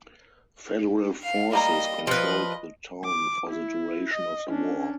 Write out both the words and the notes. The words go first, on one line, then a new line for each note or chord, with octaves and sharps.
Federal forces controlled the town for the duration of the war.
F5
G3 A#3 D#5 A#5
F3 B4 D#5
D6
E4
D#5
C#4 D4